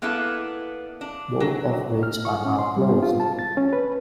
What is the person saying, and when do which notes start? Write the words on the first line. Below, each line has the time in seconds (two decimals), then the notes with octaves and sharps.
Both of which are now closed.
0.02 A#3 B3 D4 E4 A4
1.01 D4
1.40 F#3
2.03 F6
2.25 C#6
2.45 C#4
2.59 C6
2.77 G3
2.91 B3
3.03 F4
3.20 A5
3.39 A6
3.57 C#4
3.73 B4